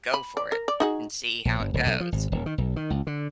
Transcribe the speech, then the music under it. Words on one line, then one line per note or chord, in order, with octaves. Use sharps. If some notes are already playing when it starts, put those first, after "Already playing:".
go for it and see how it goes
B5
D5
A#4
D5
D#4 F#4 G#4
A#1
G1
D1
B1
F3
G#1
D#1
D#3
B1
D#3
C#2
D3